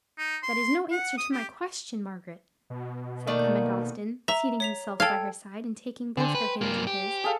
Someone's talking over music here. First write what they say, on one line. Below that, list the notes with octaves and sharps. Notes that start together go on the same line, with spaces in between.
"That is no answer to my question, Margaret," said Clement Austin, seating himself by her side, and taking both her hands in his.
D#4
C6
F#5
D#6
G4
B2
D#3 A3 A#3 D5
E5 A#5
C#5 B6 F7
A4 F5 G5 G#6
D3 C5 G5 G#5
B4
G2 A#3
G4
G#4 A4 F5